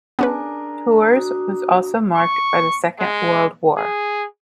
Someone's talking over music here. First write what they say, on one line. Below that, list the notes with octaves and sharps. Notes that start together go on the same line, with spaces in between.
Tours was also marked by the Second World War.
B3 C#4 D4 G#4 A#4 B4
F#4 D#6
C#6
G#3
G#4